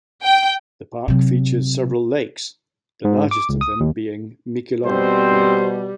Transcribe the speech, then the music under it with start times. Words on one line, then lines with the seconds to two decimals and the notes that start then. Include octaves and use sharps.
The park features several lakes, the largest of them being Miquelon Lake.
0.23 G5
1.08 C3 F#3
3.05 G#2
3.31 D6
3.49 C#2
3.61 D#6
3.80 D#2
4.86 B2 G3 C4 C5